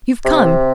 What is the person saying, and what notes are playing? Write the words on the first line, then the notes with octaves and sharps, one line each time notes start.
You've come.
C3